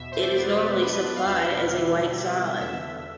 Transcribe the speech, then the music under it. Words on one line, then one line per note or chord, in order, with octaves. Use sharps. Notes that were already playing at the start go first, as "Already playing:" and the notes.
It is normally supplied as a white solid.
Already playing: E2 B2 E5
B2 C5
D5
B3
B4
B3
D4 B4
D4
F5
E2 E5
B2
D3
G3
D3
D3
E2 E5
D3